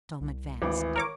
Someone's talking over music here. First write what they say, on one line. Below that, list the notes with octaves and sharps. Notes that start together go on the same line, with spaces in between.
Tom advanced.
C2
G#1 D2 E3 D6
A#4 C#5 A#5 D6